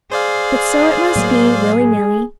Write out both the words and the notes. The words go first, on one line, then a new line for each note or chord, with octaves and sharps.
But so it must be, willy-nilly.
G#4 C5 D5 F5
A2 F#3 A#3
G#4